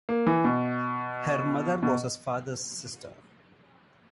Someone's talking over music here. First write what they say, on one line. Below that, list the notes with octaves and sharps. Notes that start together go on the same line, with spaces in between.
Her mother was his father's sister.
A#3
E3
B2
B2